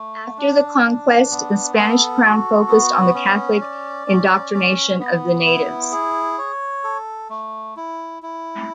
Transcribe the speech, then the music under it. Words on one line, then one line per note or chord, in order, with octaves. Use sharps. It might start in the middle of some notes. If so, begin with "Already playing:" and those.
After the conquest, the Spanish crown focused on the Catholic indoctrination of the natives.
Already playing: A3
D4
D4
B3
A4
F#4
B3
C#4
D5
C#4
C#4
B3
E4
G#4
C#5
A4
A3
E4
E4